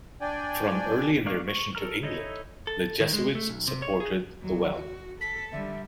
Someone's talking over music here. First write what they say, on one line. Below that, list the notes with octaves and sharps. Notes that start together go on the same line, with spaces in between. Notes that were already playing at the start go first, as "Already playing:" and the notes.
From early in their mission to England, the Jesuits supported the well.
D4 D5 G5 G#5
A#3 D4 F5 C#6
C#6
A4 A#4 A#5 F6
D#4 E4 A4 C#5 D#5
A4
D#3
G#3
A3
B1
C3
C#5
G#4
D#2 F#3
F#4
A4 B6
D3 G3 E5